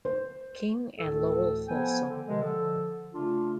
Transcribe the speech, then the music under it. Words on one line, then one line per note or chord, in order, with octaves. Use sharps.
King and Lowell Fulsom.
C5
D2 A2 E3 A4
F3 B3 A4 G5 G#5
D3
C3 D#3 F3 G#3
D3 F3 A4
C#3 A3 D4 F4